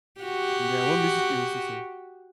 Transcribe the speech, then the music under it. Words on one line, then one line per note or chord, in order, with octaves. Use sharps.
Yeah, what music do you listen to?
F#4 G4